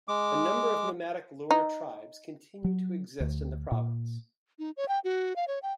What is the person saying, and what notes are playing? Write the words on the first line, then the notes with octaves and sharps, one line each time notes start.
A number of nomadic Lur tribes continue to exist in the province.
G#3 D6
D#4
F#3
D2
A#2
D#4
C#5
G5
F#4
F5
C#5
G5